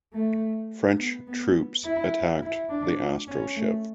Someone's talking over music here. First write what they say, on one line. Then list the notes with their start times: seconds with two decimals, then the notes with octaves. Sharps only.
French troops attack the astroship.
0.13 A3
0.98 B3
1.28 B3
1.84 E4
2.42 E4
2.70 D4
3.27 C#4
3.56 A3